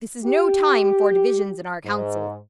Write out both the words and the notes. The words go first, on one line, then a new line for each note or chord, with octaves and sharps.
This is no time for divisions in our councils.
G4
G#2